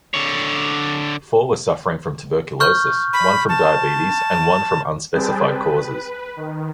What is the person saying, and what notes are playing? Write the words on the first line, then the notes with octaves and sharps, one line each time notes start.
Four were suffering from tuberculosis, one from diabetes, and one from unspecified causes.
D3 C#5
C#6 F6 G6
B5
A5
G3 C4 G#4 B4 G5 A5
B4
D#3